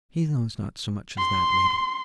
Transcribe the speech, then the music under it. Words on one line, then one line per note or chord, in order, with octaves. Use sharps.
'He knows not so much as that, lady.'
C6